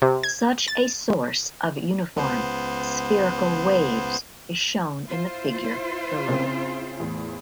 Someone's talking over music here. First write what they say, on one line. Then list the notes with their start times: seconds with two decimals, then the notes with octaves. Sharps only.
Such a source of uniform spherical waves is shown in the figure below.
0.02 C3
0.23 G#6
0.68 A6
2.16 C#2 B3 C5
5.07 E4 F4 C5
6.29 C#3 C4
7.00 E2 A2